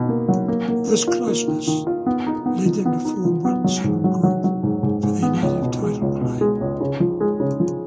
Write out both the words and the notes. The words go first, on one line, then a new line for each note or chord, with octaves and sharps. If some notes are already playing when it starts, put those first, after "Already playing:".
This closeness led them to form one single group for their native title claim.
Already playing: B2
A#3
F#3
A#3
A#3
A#3
F4
A#3
D#3
D#3
F4
B3
D#4
B3
F3
B3
D#4
F3
B3
F#3
G#2
F#3
F#3
F#3
G#2
G#2
G#2
B3
C#2
B2
G#3
C#2
B2
G#3
C#2
C#3
F3
G#3
C#3
F3